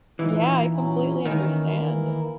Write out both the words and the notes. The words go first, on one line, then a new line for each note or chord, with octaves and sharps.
Yeah, I completely understand.
A#2 E3 A#3 D#4
A#2 F#3 C#4 E4
D#3 E3 A#3 C#4 E4
E3 A#3 E4 A#4